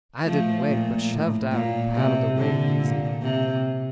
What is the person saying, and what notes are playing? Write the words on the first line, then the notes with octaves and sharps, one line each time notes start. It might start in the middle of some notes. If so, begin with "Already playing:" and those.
I didn't wait, but shoved out and paddled away easy.
F3 A3
A#2
A2
A#2
C3
D3
A#2
C3